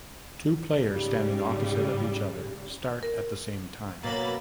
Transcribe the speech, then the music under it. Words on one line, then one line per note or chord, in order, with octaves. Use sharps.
Two players standing opposite of each other, start at the same time.
G#2 C#3 G3
A#4
F#2 B2 F#3 A#3 B5 A6